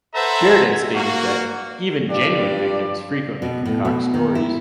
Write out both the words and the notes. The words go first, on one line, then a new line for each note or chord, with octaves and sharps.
Sheridan stated that "even genuine victims frequently concoct stories".
A4 B4 C5 E5 F#5 A#5
A#3 F#4
G2 F4 D5
B2
A2
B2
D#3
E4